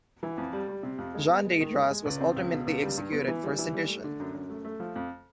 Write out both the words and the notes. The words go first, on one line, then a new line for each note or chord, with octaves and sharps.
John Deydras was ultimately executed for sedition.
E3
F2
G3
G3
C3
F2
G#3
B3
G#3
D#3
G#3
G#3
C#2
C4
C#2
B2
C#2
G3
G2
B3
E3
G3
E3
G3
A3
D3
F#2
F#2
A3
A3
F3
F2